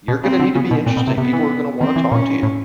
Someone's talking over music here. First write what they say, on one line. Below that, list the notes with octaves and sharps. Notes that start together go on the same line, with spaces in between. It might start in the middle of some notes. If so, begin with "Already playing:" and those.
you're gonna need to be interesting, people are gonna wanna talk to you,
B2
C#3 C4
D3
C#3 B3
B2
A#2 C4
B2
C3
C3 B3
E3
D#3 C4
E3
A#2 C#4
A2